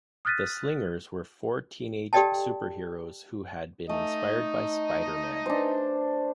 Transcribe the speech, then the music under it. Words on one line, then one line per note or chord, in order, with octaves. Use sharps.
The Slingers were four teenage superheroes who had been inspired by Spider-Man.
D#6 F6 F#6 A6 B6 D#7
G4 A4 D5 D#5 G5 A5
A3 D#4 D#5
D4 C5